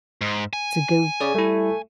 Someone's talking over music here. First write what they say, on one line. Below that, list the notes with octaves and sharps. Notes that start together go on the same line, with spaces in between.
to go
G#2
G#5
C#3 G#4 D5
G3 A3 E4